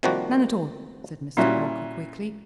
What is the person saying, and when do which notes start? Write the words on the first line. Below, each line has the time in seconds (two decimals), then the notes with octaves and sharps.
"None at all," said Mr. Parker, quickly.
0.03 C3 D#3 F3 G3 A#3 F#4
1.37 A#2 G3 C#4 E4 F#4